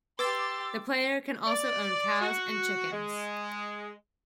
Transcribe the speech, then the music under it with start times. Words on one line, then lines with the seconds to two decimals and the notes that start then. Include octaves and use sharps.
The player can also own cows and chickens.
0.19 G4 B4 C6 D6 E6 A6
1.47 D5
2.21 F#4
2.92 G#3